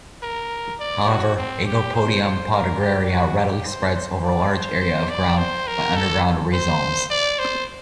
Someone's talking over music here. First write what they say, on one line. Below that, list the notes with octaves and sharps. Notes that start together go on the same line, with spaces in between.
However, "Aegopodium podagraria" readily spreads over large areas of ground by underground rhizomes.
A#4
D5
F#4
C4
G4
C5
C5
A#4
G4
F#4
G4
C5
C5
D5
C5
C5
D5
C5
A#4
A4
C5
D5
C5